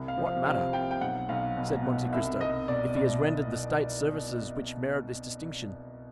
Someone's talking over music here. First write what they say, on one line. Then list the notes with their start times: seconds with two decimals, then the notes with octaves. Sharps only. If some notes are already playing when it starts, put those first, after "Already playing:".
"What matter," said Monte Cristo "if he has rendered the State services which merit this distinction?"
Already playing: C2
0.08 F5
0.17 F3
0.26 F5
0.45 C3 F5
0.73 C2 G5
0.91 G5
1.01 B1 F#5
1.29 B1 F5
1.57 B2
1.85 B2
2.13 C2 E5
2.40 C2 D#5
2.68 B2 D5
2.96 B2 D5